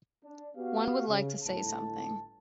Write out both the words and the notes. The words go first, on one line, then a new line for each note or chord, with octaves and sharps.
One would like to say something.
D4
B3 F#4 G4 F5
C#3
G1 A2 A5